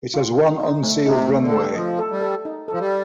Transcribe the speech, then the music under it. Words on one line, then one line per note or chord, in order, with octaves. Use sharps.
It has one unsealed runway.
F4
D#4
D#4
A3
C3 D#4
A3
D3
A4
F3 D#5
A4
G3
A4
D#4
F3 A4
G3